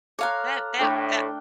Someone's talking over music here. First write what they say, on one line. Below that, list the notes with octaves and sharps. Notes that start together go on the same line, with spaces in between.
That that that
A4 C#5 F5 A#5 C6 D6 F6 F#6
A2 A3 D4 G5 A5 D6